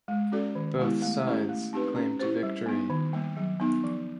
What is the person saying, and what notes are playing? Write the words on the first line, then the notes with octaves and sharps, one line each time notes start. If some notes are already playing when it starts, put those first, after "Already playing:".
Both sides claimed victory.
G#3
C#4 F#4 A4 D5
D#3
G#3 B3 E4 G4
A3
C#4 E4 G4
A3
C4 D#4 G4 B4
C#4
E4 G4 C5
G3
B3 D#4
D#3
G3 A#3
F#3
B3 D#4
F3